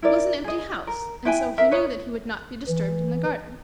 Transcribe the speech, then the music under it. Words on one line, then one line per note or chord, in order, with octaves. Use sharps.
"It was an empty house, and so he knew that he would not be disturbed in the garden."
E4 A#4 D5
G#4 D#5
A#4
E4 B4 G5 G#5
A#4 E5
A#4 B4 C#5 D#5
E3